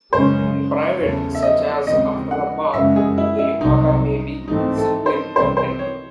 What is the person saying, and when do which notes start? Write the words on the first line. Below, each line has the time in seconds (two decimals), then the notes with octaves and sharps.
In private, such as after a bath, the yukata may be simply belted.
0.12 F#2 C#3 G#3 C#4 C5
1.00 E2 C#3 F#3 A3 C#5
1.35 E5
1.43 D#5
1.87 D#2 C#3 E3 G#3 C4 D#5
2.31 F#5
2.73 F#2 C#3 G#3 E5
2.96 G#4
3.18 E4
3.39 E4
3.61 C2 C3 F#3 D#4
4.48 G#2 E3 A3 C4 D#4
4.78 A4
5.06 C5
5.36 C2 C3 E3 C4 C5
5.57 C5
5.79 C#5